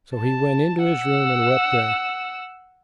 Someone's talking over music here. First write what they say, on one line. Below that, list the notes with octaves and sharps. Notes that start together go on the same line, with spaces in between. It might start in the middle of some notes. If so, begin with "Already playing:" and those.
So he went into his room and wept there.
A5
F#5 E6